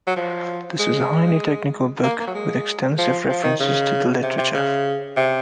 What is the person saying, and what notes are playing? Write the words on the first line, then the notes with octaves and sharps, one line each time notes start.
This is a highly technical book, with extensive references to the literature.
F#3
F3
G#3
A#3
A#3
F#3
G#3
F3
F3
D#3
C#3
C3
C3
C#3
C3